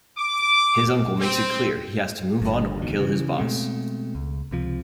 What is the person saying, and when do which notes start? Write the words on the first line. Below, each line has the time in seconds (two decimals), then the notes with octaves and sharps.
His uncle makes it clear he has to move on or kill his boss.
0.18 D6
1.20 C4
2.42 G1 G2
2.82 E1 C#2 B2 D#3
2.99 C#3 E3
3.38 B2 G#3 A3 C4
4.15 C#2
4.51 C#2 C3 F3